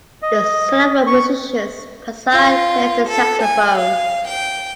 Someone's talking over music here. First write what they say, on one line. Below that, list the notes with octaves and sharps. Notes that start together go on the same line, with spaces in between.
The son of musicians, Passard plays the saxophone.
D#5
C#6
F4
A4
G#5
F5
G5